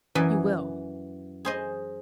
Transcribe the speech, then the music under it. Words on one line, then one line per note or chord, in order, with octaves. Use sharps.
"You will."
F#2 E3 D5 D#5 G#5
G#4 C5 D#5